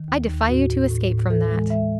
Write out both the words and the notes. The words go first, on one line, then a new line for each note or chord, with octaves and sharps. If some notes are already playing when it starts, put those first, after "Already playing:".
I defy you to escape from that.
Already playing: D#3
D#2
D#2
A2 F#4
A2
A2
A2
E3 A4
G#3
G#3 E5